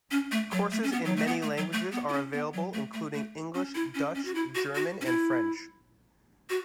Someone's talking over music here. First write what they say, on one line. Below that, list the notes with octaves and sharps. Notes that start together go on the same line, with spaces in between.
Courses in many languages are available, including English, Dutch, German, and French.
C#4
A3
F#3
A3
C#4
B3
F#3
A3
B3
A3
F#3
A3
B3
E4
C#4
B3
F#3
A3
A3
A3
C#4
E4
C#4
C#4
F#4
E4
F#4
F#4
C#4
E4
F#4